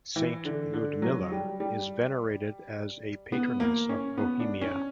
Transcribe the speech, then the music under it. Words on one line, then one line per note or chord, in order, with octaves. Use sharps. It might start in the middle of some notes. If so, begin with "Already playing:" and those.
Saint Ludmila is venerated as a patroness of Bohemia.
E3
D3
D3
F#3
G3
G3
B3
A#3
C#4
B3
D4
C#4